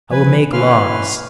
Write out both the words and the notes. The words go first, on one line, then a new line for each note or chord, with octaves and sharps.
I will make laws.
C3 F3 B4 G#5
E3 A#3 C#4 B4 C6 F6